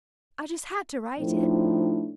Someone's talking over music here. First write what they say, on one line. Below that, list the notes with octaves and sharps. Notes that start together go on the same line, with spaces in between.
I just had to write it.
A2 F3 C4 D4 D#4